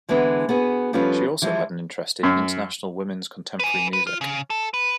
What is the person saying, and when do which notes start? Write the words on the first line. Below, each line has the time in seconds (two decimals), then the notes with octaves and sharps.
She also had an interest in International Women's Contemporary music.
0.09 D3 E3 G#3 B3 D4 B4
0.49 B3 F#4 G#4 B4
0.93 F3 G3 C#4 F4 A4 B4
1.42 E3 F3 G3 G#3
2.23 F#2
3.60 B4 G#5
3.93 B4
4.07 F4
4.21 C#3
4.50 A4
4.74 B4